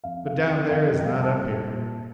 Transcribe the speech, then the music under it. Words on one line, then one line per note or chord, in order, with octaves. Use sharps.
But down there is not up here.
F2 F5
F5
F2
G5
F2 F5
D#5
G5
G3 F5
A5
A#2
A#2